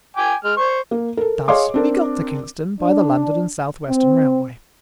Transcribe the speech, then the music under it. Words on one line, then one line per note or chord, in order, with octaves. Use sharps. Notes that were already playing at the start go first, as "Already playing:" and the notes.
Thus we got to Kingston by the London and South-Western Railway.
G5 G#5 D6
G#3 F6
C5 C#6
A#3
A4 A#4
G#4 C#5 D#5 F5 C6 D6
C4 D4 A#4
D4
C4